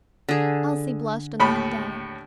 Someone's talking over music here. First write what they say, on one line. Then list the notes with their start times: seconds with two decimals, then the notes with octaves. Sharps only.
Elsie blushed and looked down.
0.29 D3 G#4
1.40 D#2 A2 B5